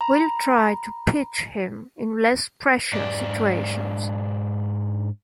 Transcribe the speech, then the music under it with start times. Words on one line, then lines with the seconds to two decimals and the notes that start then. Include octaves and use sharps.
We'll try to pitch him in less pressure situations.
0.01 A#5 B5
2.93 G#2 D4